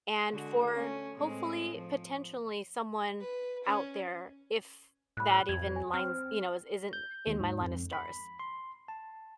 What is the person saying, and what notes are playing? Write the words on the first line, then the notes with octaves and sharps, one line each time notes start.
and for, hopefully, potentially, someone out there if that even lines you know, i isn't in my line of stars.
D3 G#3 F#4
A3 C#4
A2 G#3 C4
F3
B4
C#4
A2 B5 F#6
F2 G#6
G#5
C4 F6
G6
D#2
G#2
F2
B5
C6
A5